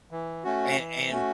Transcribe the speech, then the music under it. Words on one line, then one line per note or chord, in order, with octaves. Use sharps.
And and,
E3
A3 C#4 F#4
E3
A3 C#4 F#4